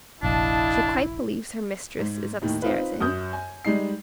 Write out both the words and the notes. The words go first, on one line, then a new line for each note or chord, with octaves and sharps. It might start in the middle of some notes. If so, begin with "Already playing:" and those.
'She quite believes her mistress is up stairs, eh?'
F1 A#1 D4 E4 D#5 F5 A5
G#2
D#2 A2 D#3
C4 D#4 F4 B4
F#2 D#6 G6
G#5
G3 G#3 D#4 C7